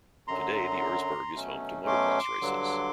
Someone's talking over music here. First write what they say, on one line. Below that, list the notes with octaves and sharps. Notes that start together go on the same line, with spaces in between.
Today the Erzberg is home to motocross races.
F#2 D3 F#3 A#5 C6
B2 F#3 A3 C#4
C6 D6
G2 D3 F#3